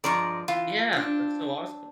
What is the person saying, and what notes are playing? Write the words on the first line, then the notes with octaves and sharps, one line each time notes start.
Yeah, that's so awesome.
G2 F3 G#3 D5 A#5 C#6
E3 F4
C4 D4